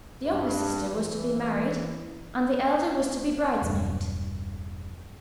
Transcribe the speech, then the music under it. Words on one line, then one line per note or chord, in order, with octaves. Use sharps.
The younger sister was to be married, and the elder was to be bridesmaid.
G2
E3
E1 G2